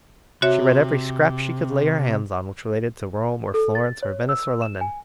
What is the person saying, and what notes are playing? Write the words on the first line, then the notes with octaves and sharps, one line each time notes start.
She read every scrap she could lay her hand on which related to Rome or Florence or Venice or London.
C3 F#4 C#5 E5
A4
A6
C#5
E6
E7
G#5